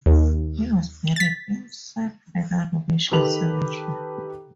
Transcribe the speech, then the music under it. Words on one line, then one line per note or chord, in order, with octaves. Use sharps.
He was buried in San Fernando Mission Cemetery.
D#2
A6 B6
D#3 G4 A4 B4 F7 F#7